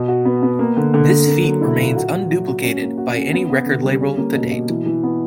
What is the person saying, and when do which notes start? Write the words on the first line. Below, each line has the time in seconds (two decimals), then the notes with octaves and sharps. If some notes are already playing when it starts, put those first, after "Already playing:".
This feat remains unduplicated by any record label to date.
Already playing: B2
0.08 F#4
0.25 B3
0.42 B3
0.59 A#3
0.77 D3
0.94 D3
1.10 D3
1.28 A#3
1.44 F#3
1.61 E4
1.79 A#2
1.96 F#4
2.12 F#4
2.30 F#3
2.47 F#4
2.64 C#4
2.81 A#3
2.98 F#4
3.16 C#4
3.33 B3
3.50 B3
3.66 D3
3.83 G3
4.01 C#4
4.17 A#3
4.35 B2
4.51 B2
4.69 E3
4.86 E3
5.03 B3